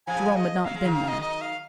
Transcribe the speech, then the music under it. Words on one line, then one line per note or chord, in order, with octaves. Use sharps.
Jerome had not been there.
C#3 F3 G#5
D#5
F#3 F5
G#3 F5
D#3 F#3
F5
D#5
D#5
F5